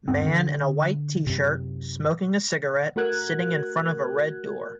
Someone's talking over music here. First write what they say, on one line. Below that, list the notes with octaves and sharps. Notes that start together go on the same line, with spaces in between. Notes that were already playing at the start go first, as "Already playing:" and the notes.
Man in a white tshirt, smoking a cigarette, sitting in front of a red door.
D2 G2 B3 C4
D3
F#2 C3
A3 F#4 A#4 F#6 G#6